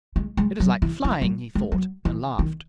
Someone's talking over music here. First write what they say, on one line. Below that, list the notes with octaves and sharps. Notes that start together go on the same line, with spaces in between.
"It is like flying," he thought and laughed.
G#3
G#3
F#3
E3
E3
F#3
G#3
F#3
E3
D#3